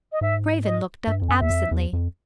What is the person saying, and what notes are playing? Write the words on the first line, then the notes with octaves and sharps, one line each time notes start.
Craven looked up absently.
D#5
G#2 E5
D#5
G2 E5
F2
F#2 G#5
E2 E5
F2
E2
F2